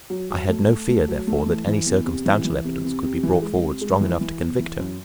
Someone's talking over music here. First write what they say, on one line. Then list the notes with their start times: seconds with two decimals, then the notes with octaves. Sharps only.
I had no fear, therefore, that any circumstantial evidence could be brought forward strong enough to convict her.
0.10 F#3
0.30 F#3
0.49 A3
0.69 A3
0.88 A3
1.08 F#3
1.27 A3
1.46 E3
1.67 E3
1.86 E2
2.05 C3
2.26 E3
2.45 E3
2.65 C3
2.84 C3
3.03 C3
3.23 E3
3.42 G#3
3.61 C3
3.81 G#3
4.01 E3
4.21 E3
4.40 E2
4.59 E3
4.79 F#2